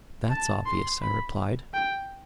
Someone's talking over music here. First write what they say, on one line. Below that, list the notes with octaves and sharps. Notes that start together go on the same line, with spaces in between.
"That's obvious," I replied.
A5
C6
B5
G5